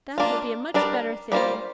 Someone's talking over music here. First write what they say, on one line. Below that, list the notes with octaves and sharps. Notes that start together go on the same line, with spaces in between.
That will be a much better thing.
A#3 D4 F4
G3 D4 A#4 D5
G3 A#3 F4 C5